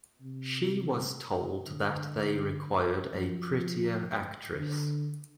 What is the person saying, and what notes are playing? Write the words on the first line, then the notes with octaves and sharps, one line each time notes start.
She was told that they required a prettier actress.
C3
D3
F3
D3